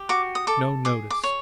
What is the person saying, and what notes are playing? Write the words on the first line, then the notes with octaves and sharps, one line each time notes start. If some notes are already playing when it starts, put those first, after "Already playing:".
No notice.
Already playing: G4
F#4 D6
D#6
A4 D6
G#4 D6
D6
C#5